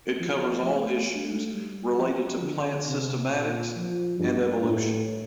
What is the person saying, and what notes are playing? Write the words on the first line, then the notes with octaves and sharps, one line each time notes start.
It covers all issues related to plant systematics and evolution.
F3
A3
A3
G3
F3
D3
C3
A#2
F3
G2
A2